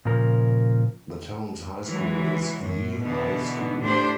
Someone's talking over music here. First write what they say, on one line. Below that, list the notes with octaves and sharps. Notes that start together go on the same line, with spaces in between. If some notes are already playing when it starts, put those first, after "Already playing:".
The town's high school is Yea High School.
A#2 C#3 F3 A#4
E3 F#3 G#3
F#2
B2 D3 E3 B3
A2 D4 G4 C5